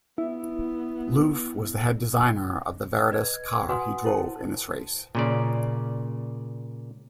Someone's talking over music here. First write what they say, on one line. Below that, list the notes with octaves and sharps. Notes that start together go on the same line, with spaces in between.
Loof was the head designer of the Veritas car he drove in this race.
B3 E4
B4 D#5 G#6
F#4 B4 F#5 G#5 C6 D#6
E4 A#4 C5 A5
A#2 C#3 D5